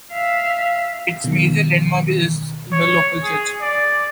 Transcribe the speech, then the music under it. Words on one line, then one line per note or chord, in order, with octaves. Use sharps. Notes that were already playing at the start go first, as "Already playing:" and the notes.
Its major landmark is the local church.
E5 F5
B2 D#3
C#5
G#4
D5